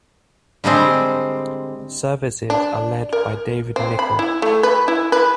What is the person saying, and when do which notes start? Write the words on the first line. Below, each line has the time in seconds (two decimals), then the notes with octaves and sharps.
Services are led by David Nicoll.
0.64 D3 G3 G#3 C4
2.50 D4
3.13 A#4
3.76 C4
3.99 B5
4.19 E4
4.42 A3
4.63 B4
4.88 E4
5.12 B4